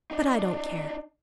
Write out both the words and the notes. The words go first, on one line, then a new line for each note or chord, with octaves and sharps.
But I don't care.
D4 D#4